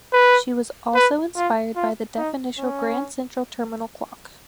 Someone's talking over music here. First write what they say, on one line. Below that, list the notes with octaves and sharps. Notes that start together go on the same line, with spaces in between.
She was also inspired by the definitional Grand Central Terminal clock.
B4
B4
F4
F4
D#4
C#4